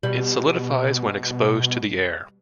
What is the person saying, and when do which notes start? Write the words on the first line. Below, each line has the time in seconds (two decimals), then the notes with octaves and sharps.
It solidifies when exposed to the air.
0.03 B2 G3